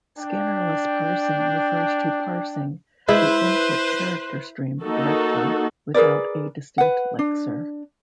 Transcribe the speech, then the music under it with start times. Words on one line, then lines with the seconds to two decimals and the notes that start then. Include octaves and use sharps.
Scannerless parsing refers to parsing the input character-stream directly, without a distinct lexer.
0.18 D4 G5
3.09 G#3 E4 B4 C5
4.82 A#3 D#4 F#4 A4
5.94 G#4 A#4 B4 D5
6.78 B4 F#5
7.19 D4